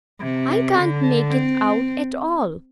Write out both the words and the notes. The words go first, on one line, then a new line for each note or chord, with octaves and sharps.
I can't make it out at all.
C3
D3
C4